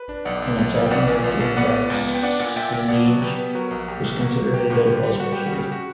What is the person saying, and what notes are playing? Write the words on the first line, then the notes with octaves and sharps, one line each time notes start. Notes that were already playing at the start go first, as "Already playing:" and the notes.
An attacking left wing-back, Ziege was considered a dead-ball specialist.
Already playing: B4
D4
B1 D5 F#5
B1
B1
B1
G5
A#1 D5 F#5
A#2
A#1
A#1
B3 D5 F#5
B3
C#2
B3
G5
D4 D5 F#5
A#2 D5 F#5
A#2 E5 G5
A#2
B2 D5 F#5
F#3
B2 G4 B4
B3
F#3 F#4 A#4
A#1
A#1 G4
A#1
A#3 F#4
F#3
A#3 G4
G2 F#4
D3 G4
G3
G3 F#4
G3 G4
F#4
C#3
G4
F#4